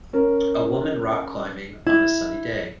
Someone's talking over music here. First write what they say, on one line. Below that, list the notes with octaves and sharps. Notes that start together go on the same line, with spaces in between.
A woman rock climbing on a sunny day.
C#4 A#4
E4